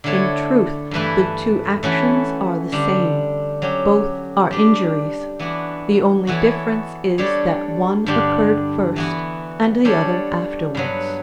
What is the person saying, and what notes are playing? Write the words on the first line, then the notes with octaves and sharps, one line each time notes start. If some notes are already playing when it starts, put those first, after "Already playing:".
In truth the two actions are the same: both are injuries; the only difference is that one occurred first, and the other afterward.
D3 A3 E4 A4 C#5
G2 E3 A3 E4 B4
E3 A3 C#4 F#4 B4
D3 G3 D4
F#3 C#4 G4
G3 D4 G4
E3 B3 D4 F#4
E3 B3 F#4 A4 C#5
G3 D4 A4 C#5
G2 D3 G3 D4 G4
E3 B3 F#4
G3 D4 A4 C#5
G2 F#3 B3